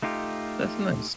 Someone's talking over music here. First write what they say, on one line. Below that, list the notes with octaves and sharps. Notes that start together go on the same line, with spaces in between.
That's nice.
A3 D#4 F4 G4